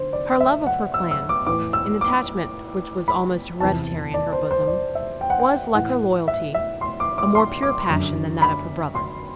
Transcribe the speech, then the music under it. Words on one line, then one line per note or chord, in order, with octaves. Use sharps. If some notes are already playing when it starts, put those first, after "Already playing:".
Her love of her clan, an attachment which was almost hereditary in her bosom, was, like her loyalty, a more pure passion than that of her brother.
Already playing: D3 C5
D5
E5
F#5
E6
E6
D6
A2 E3 D6
E6
D6
B5
E2 C3 E3 A5
D5
C5
C5
D5
E5
G5
F#5
G5
A2 E3 F#5
E5
E5
C6
D6
D6
C6
D6
F#2 D3
B5
C6